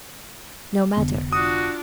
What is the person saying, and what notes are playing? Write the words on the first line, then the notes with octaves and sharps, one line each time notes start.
"No matter."
F1 D3 B3
D4 F4 F#4 D#6